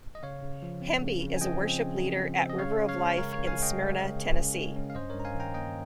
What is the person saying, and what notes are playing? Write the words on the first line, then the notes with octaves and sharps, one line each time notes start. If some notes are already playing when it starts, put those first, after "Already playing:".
Hemby is a worship leader at River of Life in Smyrna, Tennessee.
D#5
C#3 C#5 F5
C#3
F3
C4
C#3
C#3
G#5
F3 D#5 G5
C4
C#3
C#3
F3
C4
D#5
C#3 C#5 F5
C#3
C#5 F5
G#3
C#4 A#4 C#5
C#5 F5
C#3
F5 G#5
C#3 D#5 G5
G#3
C#4
C#3
C#3
G#3
C#4
F5
G2 C5 D#5
G2 A#4 C#5
A#5
F5 G#5
D#3
G5 A#5
A#3 D#5 G5